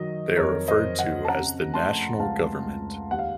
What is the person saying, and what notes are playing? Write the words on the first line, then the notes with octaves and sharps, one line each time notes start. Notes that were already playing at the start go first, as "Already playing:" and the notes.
They are referred to as the "National Government".
Already playing: D#3 F#3 D#5
F2 A#4 C#5
C5 D#5
F2
D#5 F#5
A5
C#3 F#5 A#5
A3 A5 C6
C#2 F5 A5
C#2
D#2 F#5
F5